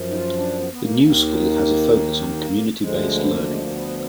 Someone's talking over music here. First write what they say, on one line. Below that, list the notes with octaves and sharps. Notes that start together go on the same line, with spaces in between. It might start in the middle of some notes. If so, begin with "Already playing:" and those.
The New School has a focus on community-based learning.
Already playing: F#2 F3
D#4
F4
D4
B3
B3
A#3
D#2 D#3 A#3
D2 D3 F3 G#3
B3
A#3
G#3
A#3
B3